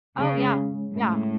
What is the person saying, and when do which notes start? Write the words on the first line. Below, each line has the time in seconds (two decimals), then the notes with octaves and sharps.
Oh yeah, yeah.
0.19 C#3 C#4
0.37 G#3
0.55 C#4
0.74 G#3
0.92 A2 G#3
1.10 G#3